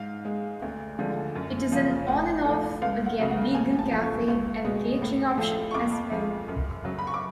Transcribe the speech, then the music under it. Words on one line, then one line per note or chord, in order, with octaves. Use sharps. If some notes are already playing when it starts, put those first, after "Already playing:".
It is an on-and-off again vegan cafe and catering operation as well.
Already playing: G#2 F5
G#3
D2
D3 F3 G#3
F#2
C#3 F3
A2 F#5
F3 A3
C#2 F5
F#5
C#3 F#3 A3
F#5
A2 G#5
A5
F3 A3
C#6
C#2
B2 G#3
A2
F3 A3
C#6
F2 D6
F3 G#3
F#2
C#3 F#3
B5
C#6
D6